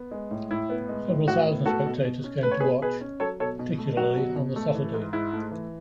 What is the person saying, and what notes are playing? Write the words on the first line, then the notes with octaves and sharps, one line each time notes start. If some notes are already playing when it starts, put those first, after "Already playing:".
Several thousand spectators came to watch, particularly on the Saturday.
Already playing: B3
G#3
A2
A2 E4
B3
G#3
A2
A2 F#4
B3
A3 F#4 A4
B2
B2
C#4
A3 B4
C#5
B2 G#4 B4
B2 G#4 B4
C#4
F#3 A4 C#5
B2 A4 C#5
B2
A3
F#3 F#4
B2
B2
A3
E3
G#2
G#2 E4
A3
E3